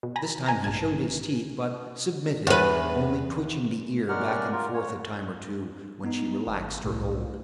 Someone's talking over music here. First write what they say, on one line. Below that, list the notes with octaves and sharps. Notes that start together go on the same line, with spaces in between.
This time he showed his teeth but submitted, only twitching the ear back and forth a time or two when she relaxed her hold.
B2
G#5 A#5 B5 A#6
G#5 A#5 A#6
A#1 G#2 A5 G#6
E2 B4
G#3 C#4 A#4 D5 F#5 F6
F4 A#4
C#5
B3 D#4
G#1
C2 A2